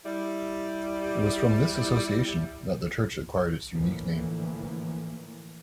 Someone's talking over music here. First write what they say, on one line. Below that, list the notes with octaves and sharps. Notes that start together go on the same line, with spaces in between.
It was from this association that the church acquired its unique name.
G3 E4
A2 D3 E3 F3 A#3